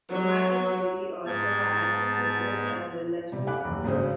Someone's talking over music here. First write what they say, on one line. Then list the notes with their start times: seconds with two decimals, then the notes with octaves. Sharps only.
Tomato puree also adds thickness as well as flavour.
0.12 F#3
1.26 G#2 B3 A5 G#6
3.32 C3 G3
3.47 F5 F#5 G#5 B5 D6 F#6
3.65 F#1 D#2
3.84 G#1 G2 C#3 F#4 G#4 C5